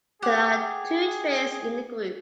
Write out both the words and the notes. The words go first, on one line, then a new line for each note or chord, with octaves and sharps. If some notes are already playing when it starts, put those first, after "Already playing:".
There are two trains in the group.
G4 G#4 F#5